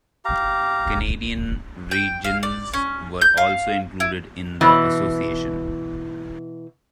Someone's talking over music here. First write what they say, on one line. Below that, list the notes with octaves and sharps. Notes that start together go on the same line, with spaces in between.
Canadian regions were also included in the Association.
G4 F5 A#5
G5
F5
D5
C#4
G6
F5
E4
B2 E3